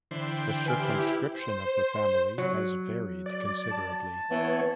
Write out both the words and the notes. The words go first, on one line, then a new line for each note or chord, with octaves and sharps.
The circumscription of the family has varied considerably.
D3 E3 C5 G5
E4 G4 B4 G#5 F6
C5
F#3
D5
A5
E3 B3 C#5